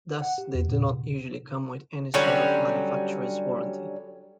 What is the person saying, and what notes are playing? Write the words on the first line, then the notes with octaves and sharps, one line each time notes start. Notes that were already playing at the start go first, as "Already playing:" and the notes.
Thus, they do not usually come with any sort of manufacturer's warranty.
F#5
G4
E2
A#2
C3
D3 F#3 G3 C#4